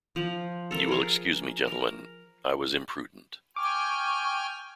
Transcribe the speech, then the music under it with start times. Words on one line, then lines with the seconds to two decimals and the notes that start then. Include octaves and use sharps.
You will excuse me, gentlemen; I was imprudent.
0.16 F3
0.71 A4 A#4
0.88 G#4 A#4
1.68 A#4
3.56 G5 G#5 C#6 D6 F6